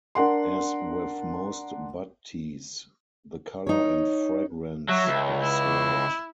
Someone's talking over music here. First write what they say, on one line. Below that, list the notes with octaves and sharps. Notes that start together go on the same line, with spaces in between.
As with most bud teas, the color and fragrance are slight.
D4 A#4 F#5 C6
D#4 C#5
F#3 E5
C#2
E4